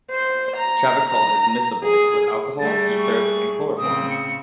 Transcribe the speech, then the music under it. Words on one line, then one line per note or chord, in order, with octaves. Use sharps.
Chavicol is miscible with alcohol, ether, and chloroform.
C5
A#5
A#5
G#4
G3 A3 G#4 A6
C#6
A2 C#3 C4 D#6
C#7